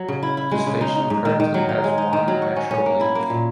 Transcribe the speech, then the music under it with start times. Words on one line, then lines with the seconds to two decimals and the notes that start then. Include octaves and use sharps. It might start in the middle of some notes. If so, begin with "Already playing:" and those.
The station currently has one metrolink.
Already playing: F#3
0.08 C#3
0.23 E4
0.37 E4
0.52 G#3
0.66 C#3
0.81 D#4
0.96 D#4
1.10 G#2
1.25 D#3
1.40 D#3
1.54 F#3
1.69 D#4
1.84 G#3
1.98 D#4
2.13 D#3
2.28 F#3
2.42 F#4
2.56 C#4
2.71 C#4
2.86 A#3
3.01 E4
3.15 A#3
3.30 A#2